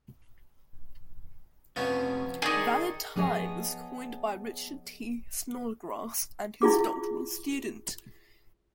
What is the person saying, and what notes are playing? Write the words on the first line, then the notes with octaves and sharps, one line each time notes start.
"Valid time" was coined by Richard T. Snodgrass and his doctoral student.
F2 C3 F3 B3 C#4 D#5
D#3 D4 D#4 G#4 D#5
F3 B3 G#4 C#5 D#5
E4 F4 G#4 D6